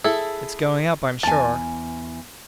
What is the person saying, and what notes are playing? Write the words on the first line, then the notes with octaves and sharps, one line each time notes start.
"It's going up; I'm sure."
E4 G#4 A4
E2 G#5 A5